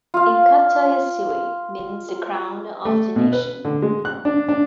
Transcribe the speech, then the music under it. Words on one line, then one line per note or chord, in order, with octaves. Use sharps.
"Inkatha YeSizwe" means "the crown of the nation".
F4 F5
A3
B2
B4
D3
G#3
F#6
D4
D4